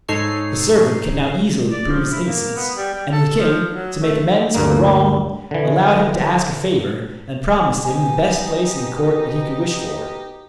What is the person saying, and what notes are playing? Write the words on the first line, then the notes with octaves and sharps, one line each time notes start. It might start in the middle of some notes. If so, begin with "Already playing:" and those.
The servant could now easily prove his innocence; and the king, to make amends for the wrong, allowed him to ask a favour, and promised him the best place in the court that he could wish for.
G#2 D#4 A4 C#5 C7
D5
F3
E4
A#3
B3
G3
G3
A4
F3
F#3
A3
D2 G2 A#3
D3 E3
B2 D#4 G4 D#5 G#5